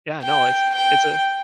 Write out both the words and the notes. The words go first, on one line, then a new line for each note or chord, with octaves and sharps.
yeah, no, it's it's a
G5
G5